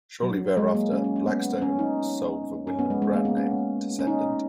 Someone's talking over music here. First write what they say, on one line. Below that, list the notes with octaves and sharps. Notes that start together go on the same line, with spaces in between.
Shortly thereafter, Blackstone sold the Wyndham brand name to Cendant.
F#3
G#3
A#3
C#4
C#4
C#4
B3
C#4
D#4
C#4
B3
G#3
G#3
A#3
B3
C#4
C#4
D#4